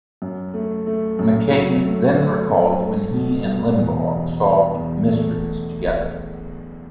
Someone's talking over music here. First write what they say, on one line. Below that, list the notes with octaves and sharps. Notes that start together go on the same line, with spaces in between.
McCain then recalls when he and Limbaugh solved mysteries together.
F#2
A3
A3
F#2
F#3
A3
A3
F#2
A3
B2
B2
E2
B2
D4
E2
A3